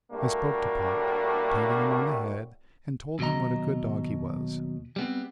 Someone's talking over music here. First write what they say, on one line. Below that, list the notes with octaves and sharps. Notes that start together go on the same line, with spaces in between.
I spoke to Pont, patting him on the head and told him what a good dog he was.
A2 G3 A3 A#3 D4 F#4
D#2 B2 F#3 D#5 A#5
G3 B3 C4